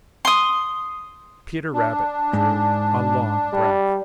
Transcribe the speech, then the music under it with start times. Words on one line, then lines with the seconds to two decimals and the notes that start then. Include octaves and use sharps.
Peter Rabbit drew a long breath.
0.25 C6 D#6
1.73 D4
2.33 G#2
3.53 G3